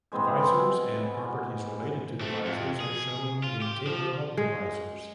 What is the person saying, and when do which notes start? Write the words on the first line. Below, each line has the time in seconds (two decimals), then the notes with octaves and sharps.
Divisors and properties related to divisors are shown in table of divisors.
0.12 E3 G#3 B3 C4
2.21 A3 C4
2.45 F2
2.80 G#4
3.44 F4
3.62 G4
3.87 F3
4.37 G#3